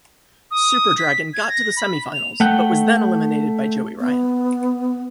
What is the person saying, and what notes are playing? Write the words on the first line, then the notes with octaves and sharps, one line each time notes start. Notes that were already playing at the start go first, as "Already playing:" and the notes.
Super Dragon got to the semifinals, but was then eliminated by Joey Ryan.
D#6
B6
G#6
A#6
B5
F7
A3 F#5 G5
B3